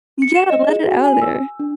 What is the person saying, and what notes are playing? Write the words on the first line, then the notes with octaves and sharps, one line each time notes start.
Yeah, let it out, er
C#7
E7
D#5
G#4
F#4
G#5
E6
D4